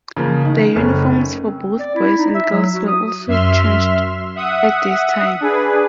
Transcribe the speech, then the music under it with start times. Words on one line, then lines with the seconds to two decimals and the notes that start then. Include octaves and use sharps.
The uniforms for both boys and girls were also changed at this time.
0.16 C#3 F3 A#3
0.45 D#3
0.76 F#1 C#3 A3 C#4
1.42 C4
1.80 D5
1.96 E4
2.18 D#4
2.35 E5
2.51 F#3
2.74 F#4
2.88 D#6
3.27 F#2 E5 C6 F6
4.35 E5 F#5 D#6
5.41 D4 G#4 B4